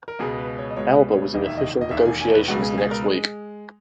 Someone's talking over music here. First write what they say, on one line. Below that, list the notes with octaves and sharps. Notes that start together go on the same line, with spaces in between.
Elba was in official negotiations the next week.
A#4
C#2 B2 G#3 G#4
B4
C#5
D#5
C#2 B2 G#3 C#5
B4
C#5
E1 D#2 D#3 D#5
E5
D#5
D#5
E1 D#2 D#3 E5
G#5
G#5
B4
C#2 B2 G#3 F#4
G#4
G#4
A#4
G#3